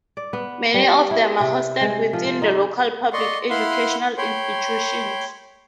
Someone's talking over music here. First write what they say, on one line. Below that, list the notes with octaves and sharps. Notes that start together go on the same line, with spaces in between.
Many of them are hosted within the local public educational institutions.
D5
B3
G3
E4
C3
G#3
F3
C5
D#4
D5 D#5 C6 C#6
E4 F5 F#5 B5 C6
C#5 G5 B5 C6